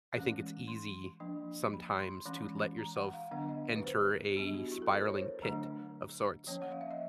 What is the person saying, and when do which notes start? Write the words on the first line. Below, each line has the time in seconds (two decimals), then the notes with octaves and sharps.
I think it's easy sometimes to let yourself enter a spiraling pit of sorts
0.15 E3 G#3 C#4
0.68 C6
1.20 F3 A#3 D4
1.73 B5
1.99 C6
2.25 E3 G#3 C#4 B5
2.78 A#5
2.96 F#5
3.13 F5
3.31 D3 F#3 B3 D4 F#5
3.49 D#5
3.76 B4
3.84 C5
4.10 G#4
4.36 F#3 B3 D4 G4
4.54 F#4
4.72 E4
4.82 A4
4.89 A#4
5.05 C#5
5.16 C5
5.42 D3 F#3 A3 D4
6.47 F3 A#3 C#4 C#5
6.62 F#5
6.72 F5
6.81 E5
6.91 D#5